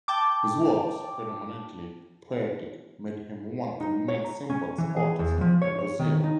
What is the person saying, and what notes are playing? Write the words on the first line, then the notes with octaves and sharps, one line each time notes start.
His works, predominantly poetic, made him one of the main Symbolist authors in Brazil.
G5 A5 D6
D#4
C#5
A#5
C#4
E3
G#4
E2
F3
C#5
C#5
D#3
D#4